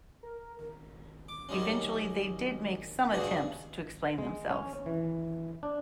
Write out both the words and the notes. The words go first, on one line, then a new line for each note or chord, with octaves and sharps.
Eventually they did make some attempts to explain themselves.
A#4
D6
F#2 D#3 G3 G#3 C#4
C#2 G2 B2 D4 F#4 G#4
G#3
C#4
E3
D4